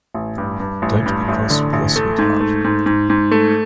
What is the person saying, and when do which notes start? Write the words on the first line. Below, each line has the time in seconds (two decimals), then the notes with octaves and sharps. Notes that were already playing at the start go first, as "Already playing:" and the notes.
Don't be cross with your sweetheart.
0.14 A1
0.38 G2
0.60 G2
0.82 A1
1.06 G2
1.28 A1
1.50 D3
1.73 A1
1.96 A3
2.18 G#2
2.41 A3
2.64 G#2
2.86 G#2
3.10 G#2
3.31 A3